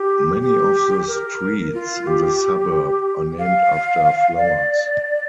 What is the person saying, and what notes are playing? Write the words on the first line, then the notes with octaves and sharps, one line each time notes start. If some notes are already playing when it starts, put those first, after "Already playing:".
Many of the streets in the suburb are named after flowers.
Already playing: G4
G4
A#4
F4
G4
F5
D5